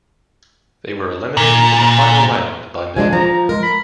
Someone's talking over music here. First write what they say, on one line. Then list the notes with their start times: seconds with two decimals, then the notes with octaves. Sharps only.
They were eliminated in the first round by Millbrook.
1.37 A#2
2.96 F3 G#3 D4 G#5
3.13 F3 A#5
3.49 G#3 A#4
3.63 B5